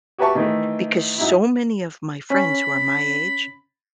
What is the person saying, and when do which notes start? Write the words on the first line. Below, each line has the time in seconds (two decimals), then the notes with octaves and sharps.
because so many of my friends who are my age
0.18 F#4 G4 B4 E5 A5 C#6
0.35 D#3 E3 A3
1.18 F#2 D#4 E4
2.30 C#4 B5